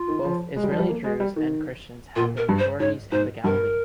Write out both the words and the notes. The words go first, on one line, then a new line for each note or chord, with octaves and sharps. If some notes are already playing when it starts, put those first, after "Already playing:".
Both Israeli Druze and Christians have their majorities in the Galilee.
Already playing: F4
D#3
F3
G#3
G3
F3
G3
A#3
G#3
G3
D#3
A#2 F4
A#4
G2
C5
G#2 C#5
G#2 C5
G2 A#4